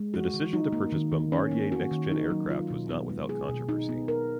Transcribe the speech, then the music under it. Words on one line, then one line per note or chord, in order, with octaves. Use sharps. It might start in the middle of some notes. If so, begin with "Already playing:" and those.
The decision to purchase Bombardier NextGen aircraft was not without controversy.
Already playing: G#3
F#4
D#3
D#4
A#3
D#3
D#3
C#4
A#3
F#4
D#3
D#4
F#3
F4
B2
B3
G#3
G#4
B2
D#4
B3
A#4